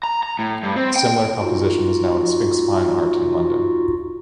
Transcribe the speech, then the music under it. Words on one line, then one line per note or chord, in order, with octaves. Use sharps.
A similar composition is now in Sphinx Fine Art in London.
A#5
A#5
A2
G2
C4
G5
D#4 F4 F#4